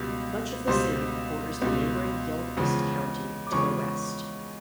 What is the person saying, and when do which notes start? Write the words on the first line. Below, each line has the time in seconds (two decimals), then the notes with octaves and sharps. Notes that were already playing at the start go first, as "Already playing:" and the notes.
Much of the city borders the neighboring Gilchrist County to the west.
Already playing: C#2 B2 G3
0.67 C#2 B2 G3 C5 C6
1.62 C#2 B2 G3
2.57 E2 C#3 F3 G#3
3.47 D6
3.51 E2 C#3 F3 G#3 C#5 C#6